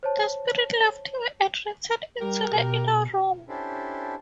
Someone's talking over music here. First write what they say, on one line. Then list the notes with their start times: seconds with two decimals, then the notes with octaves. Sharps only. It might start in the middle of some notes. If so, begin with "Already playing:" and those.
The spirit left him and returned into the inner room.
0.03 C5 C#5 A5
2.20 G3 G4 A#4
2.54 B2
3.48 C#4 D4 E4 G4 A4 C5